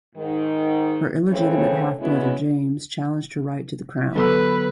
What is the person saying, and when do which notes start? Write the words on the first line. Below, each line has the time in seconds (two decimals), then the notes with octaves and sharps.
Her illegitimate half-brother, James, challenged her right to the crown.
0.16 G#2 D#3
1.29 A2 C#3 E3 G#3 C4 C#5
1.99 F#3 G#3 B3 C#4 E4
4.16 D3 F#3 B3 A4 B4 B5 E6